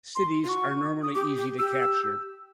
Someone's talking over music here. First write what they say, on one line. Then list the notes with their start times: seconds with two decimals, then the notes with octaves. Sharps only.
Cities are normally easy to capture.
0.15 C6
0.44 F4
0.48 F#4 C#6
1.03 D#6
1.14 G4 D6
1.37 G4
1.59 G4 E6
1.81 E6